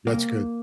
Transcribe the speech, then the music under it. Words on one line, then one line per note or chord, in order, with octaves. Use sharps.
That's good.
C2 A#3